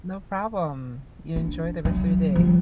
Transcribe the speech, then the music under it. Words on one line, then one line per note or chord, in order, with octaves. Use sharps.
No problem, you enjoy the rest of your day.
D4
F#3
F3 G3